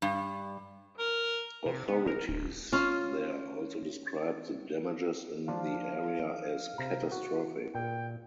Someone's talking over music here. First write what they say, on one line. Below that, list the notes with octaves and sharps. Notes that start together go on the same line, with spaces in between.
Authorities there also described the damages in the area as "catastrophic".
G2
A#4
C3
B3
A#4
D1
C#4 F4
F3 D4 F4 F5
C3 A#5
F#4
A#2 G5